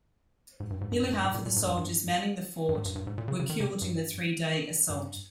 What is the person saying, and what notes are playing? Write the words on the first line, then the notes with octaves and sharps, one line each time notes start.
Nearly half of the soldiers manning the fort were killed in the three-day assault.
G#2
G2
G#2
G2
G2
G2
G#2
A#2
A#2
G#2
G2
G2
G2
G#2
G2
G2
G#2
A#2
C#3
C#3
D#3
C3
G2
G2